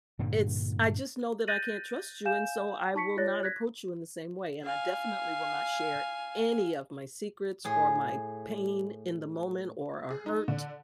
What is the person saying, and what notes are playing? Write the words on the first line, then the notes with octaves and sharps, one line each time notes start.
it's I just know that I can't trust you, and so I will not approach you in the same way, and I definitely will not share any of my secrets or my pain in the moment or a hurt.
G2 A#2 D3 G3
F#6 G6 A6 A#6 D#7 F#7
F5 G#5 G6 E7
G5
D#4 A5 C#6 B6 C#7
F4 C#5 D5 F#6 A6 A#6
F#6 G#6 A#6 B6
F5 G#5
A2 G#4
G#4
D#4
D3